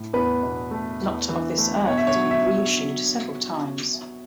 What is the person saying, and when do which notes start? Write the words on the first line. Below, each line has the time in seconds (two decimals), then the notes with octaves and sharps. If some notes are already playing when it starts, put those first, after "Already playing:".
"Not of This Earth" has been reissued several times.
Already playing: A2
0.13 E2 B4
0.43 B2
0.71 A3
1.01 E2
1.29 E3
1.58 A3
1.88 B2 C#5
1.98 E5
2.07 C#5
2.15 F#3
2.31 E5